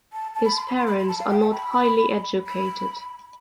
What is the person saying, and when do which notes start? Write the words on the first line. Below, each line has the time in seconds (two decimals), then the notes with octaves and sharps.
His parents are not highly educated.
0.13 A5
0.35 A5
0.45 B5
0.56 C6
0.67 B5
0.76 C6
0.87 B5
0.98 B5
1.09 A5
1.20 F5
1.29 G5
1.41 A5
1.52 B5
2.47 B5